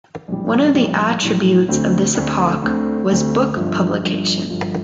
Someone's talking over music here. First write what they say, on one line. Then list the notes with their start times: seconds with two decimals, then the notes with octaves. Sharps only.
One of the attributes of this epoch was book publication.
0.28 A#1 A2 G3
0.74 A#1 A2 G3
1.22 A#1 A2 G3
1.68 D2 D3 A3 C4
2.15 D2 D3 A3 C4
2.62 D2 D3 A3 C4
3.09 D2 D3 A3 C4
3.56 G1 G2 F3
4.02 G1 G2 F3
4.49 G1 G2 F3